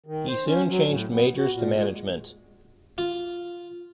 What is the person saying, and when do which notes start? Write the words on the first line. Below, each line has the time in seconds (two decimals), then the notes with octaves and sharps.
He soon changed majors to management.
0.06 D#3
0.28 C5
0.45 C#4
0.68 F#3
0.89 A2
1.11 B3
1.35 F#4
1.53 A#2
1.75 G#3
2.98 F4